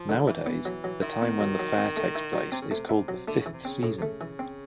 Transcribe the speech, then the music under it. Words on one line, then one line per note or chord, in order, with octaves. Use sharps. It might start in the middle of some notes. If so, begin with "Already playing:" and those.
Nowadays the time when the fair takes place is called the "fifth season".
Already playing: F3
D3
E3 E4
B3
F#3
F#3
D#3 E4
B3
F#3
F#3
C4
A3
E4
F#3
C3 C4
C#3
C3 A3
E4
F#3
D3 A3
C#3
E3
C3
C#3 C4
A2
C3
C#3 A3
E3
C4